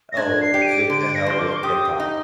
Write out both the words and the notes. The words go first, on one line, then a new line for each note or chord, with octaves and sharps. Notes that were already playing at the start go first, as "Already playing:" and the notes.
Oh, to to hell with TikTok.
A#6
D4 G#6
C7
G4
D#7
D7
D3 D7
A#6
F3 C6
D6
C6
D6
G4 D#6
D#4